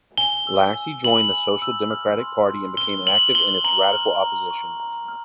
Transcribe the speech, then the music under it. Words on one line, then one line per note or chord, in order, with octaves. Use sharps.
Lassy joined the Social Democratic Party and became active in its radical opposition.
G#5 G7
E6
G#5
B5 F#7
G#5
E6
F6
C6
C6
F6 G7
F6 F#7
C6 G7
A#5 F#7
F6
A#5
C#6
A#5
F6